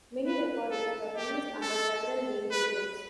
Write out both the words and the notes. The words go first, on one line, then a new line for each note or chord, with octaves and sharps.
Many recordings were released under several name variants.
B4
A4
G4
A4
B4